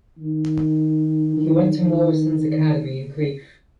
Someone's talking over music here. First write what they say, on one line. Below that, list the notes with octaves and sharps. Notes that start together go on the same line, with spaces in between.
He went to Morrison's Academy in Crieff.
D#3
D#3
D#3